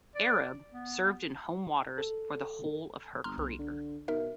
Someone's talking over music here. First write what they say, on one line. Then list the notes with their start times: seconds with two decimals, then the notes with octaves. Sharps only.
"Arab" served in home waters for the whole of her career.
0.15 D5
0.72 B3
1.98 A4
3.24 G1 A#5 C6 F6
3.38 C2
3.59 D3
4.08 B2 D#4 A#4 E5